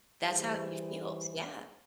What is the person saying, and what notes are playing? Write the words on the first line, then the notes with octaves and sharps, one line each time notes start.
That's how he feels. Yeah.
E3 G3 G#4 B4 C5